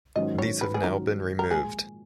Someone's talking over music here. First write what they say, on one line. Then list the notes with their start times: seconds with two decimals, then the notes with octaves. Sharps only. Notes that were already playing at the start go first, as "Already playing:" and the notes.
These have now been removed.
0.16 G#2 D#3 F#3 C#4 D#5
0.38 C#5
0.61 B4
0.74 G#4
0.83 G#2 D#3 F#3 C#4 A#4
1.39 A#4
1.51 A#2 F3 G#3 G#4